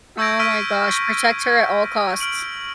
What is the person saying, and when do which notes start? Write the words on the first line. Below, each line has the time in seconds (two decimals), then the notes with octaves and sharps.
Oh my gosh. Protect her at all costs.
0.18 C#6 E6 G6 G#6 A#6 D7
0.39 C#6 E6 F6 B6 D7 D#7
2.20 F6 D7 F#7